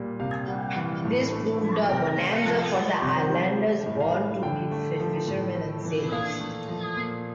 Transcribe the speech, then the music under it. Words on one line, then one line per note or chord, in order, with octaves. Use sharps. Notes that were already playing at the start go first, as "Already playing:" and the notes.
This proved a bonanza for the islanders, born to be fishermen and sailors.
Already playing: A#2 G3
C3 F5
G3
E3
A2
A3
F3
C3 G5
A3
F5
F3
G3 D5
C3
C5
G3
G3
A2
F5
G3
D3 G5
A3
F3
A2
A3
E3
A#2 F5
A3
F3
A#2